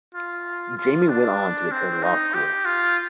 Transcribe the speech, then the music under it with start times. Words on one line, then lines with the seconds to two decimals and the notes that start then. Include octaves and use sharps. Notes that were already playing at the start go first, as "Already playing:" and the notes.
Jamie went on to attend law school.
0.14 F4
0.77 F4
1.09 D4
1.72 C4
2.03 D#4
2.34 G4
2.65 F4